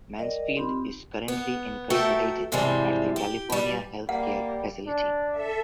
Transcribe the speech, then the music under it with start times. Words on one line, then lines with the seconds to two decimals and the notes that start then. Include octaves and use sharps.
Mansfield is currently incarcerated at the California Health Care Facility.
0.19 G3 A#4 D5 D#5
0.57 C4 D#4 F4 G4 B5 C6
1.28 B3
1.90 A3 F#4 A4 A#4 E5 G5
2.52 G#2 C3 E3 F3 G3 G#3
3.16 G4
3.50 G3 B4
4.09 G3 A#3 F#5
4.87 D4
5.32 A4 E5